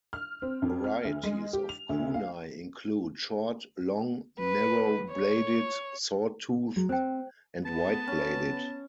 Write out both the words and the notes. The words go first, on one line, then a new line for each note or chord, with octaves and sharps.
Varieties of kunai include short, long, narrow-bladed, saw-toothed, and wide-bladed.
F6
C4
F2
F6
D2
G#3
G4
F7
D2
F5
B4
C#5
F#3 G#3
C4 C5 G5
B3 A5
C#4